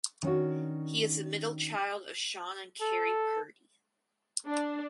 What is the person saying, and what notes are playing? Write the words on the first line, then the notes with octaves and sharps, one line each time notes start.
He is the middle child of Shawn and Carrie Purdy.
D#3 C#4 D4 F#4
A4
D4